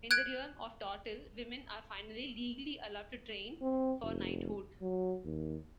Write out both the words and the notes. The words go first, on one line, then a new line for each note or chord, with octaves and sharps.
In the realm of Tortall, women are finally legally allowed to train for knighthood.
F#6 G#6 D7
C4
F1
F#3
D#2